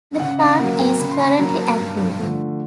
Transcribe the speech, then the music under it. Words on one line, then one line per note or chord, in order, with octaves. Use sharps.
The plant is currently active.
C#3 F#5
F5
F#3 A#3 F#5
G5
C#3 B5
C6
B5
F#3 A#3 A#5
A5
G2
D3 F3 A3